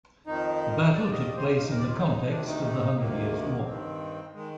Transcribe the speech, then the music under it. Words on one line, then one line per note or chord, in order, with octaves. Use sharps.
The battle took place in the context of the Hundred Years War.
F2 D#3 D#4
D#2 D#3 D5
D#5
D5
C5
G4
F4
D#2 D#3 D#4
A#4
D5
F4
D#4
D2 C3 D#3 D4
D#4
D#4
D2 C3 D#3 A#3
G2 D#3 C4
D#3 G#3